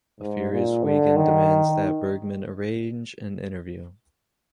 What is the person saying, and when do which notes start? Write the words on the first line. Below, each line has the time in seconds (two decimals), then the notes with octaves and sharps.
A furious Wigand demands that Bergman arrange an interview.
0.21 G#2
0.52 A#2
0.84 D3
1.16 D#3